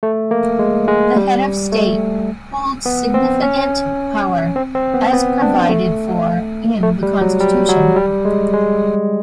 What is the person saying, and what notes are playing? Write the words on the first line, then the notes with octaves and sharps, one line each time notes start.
The head of state holds significant power as provided for in the constitution.
A3
A#3
G#3
G#3
G3
A3
B3
C4
C#4
C4
C4
B3
B3
D4
A3
A3
G3
F#3
G3
F#3
G3
G#3
G#3